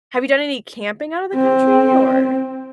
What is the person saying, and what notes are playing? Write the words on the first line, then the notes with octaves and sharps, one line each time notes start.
have you done any camping out of the country or
C4